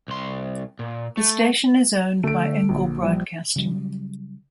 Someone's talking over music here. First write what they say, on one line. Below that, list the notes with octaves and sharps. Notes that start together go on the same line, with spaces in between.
The station is owned by Engle Broadcasting.
C2 C6
A#2
A3
D3 A3 D7
A#1
F3 G3
C#3 F#3 G3